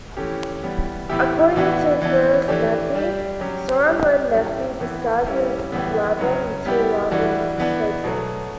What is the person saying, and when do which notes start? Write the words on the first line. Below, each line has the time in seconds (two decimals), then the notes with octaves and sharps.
According to "First Nephi", Zoram led Nephi, disguised as Laban, into Laban's treasury.
0.17 E3 A3 C#4 G4
0.63 E3 G3 B3
1.09 A2 E3 B3 E4 G4
1.56 A2 E3 B3 D4 F#4
2.02 E3 B3 D4
2.48 E3 A3 D4 G4
2.94 G3 D4 G4
3.41 F#3 C#4 G4
3.87 G3 D4 G4
4.33 A2 F#3 C#4 G4
4.80 A2 E3 B3
5.26 G3 C#4 E4 G4
5.72 A2 E3 G3 B3
6.19 C#3 F#3 C#4
6.65 G3 B3 E4 G4
7.11 E3 G3 D4 F#4
7.58 E3 B3 D4
8.04 B2 F#3 A3